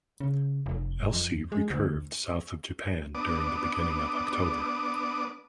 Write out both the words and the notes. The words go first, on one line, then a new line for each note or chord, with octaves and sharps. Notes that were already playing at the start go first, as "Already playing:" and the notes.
Elsie recurved south of Japan during the beginning of October.
C#3
F1
F2
G#3
D2
B3 D4 D6 D#6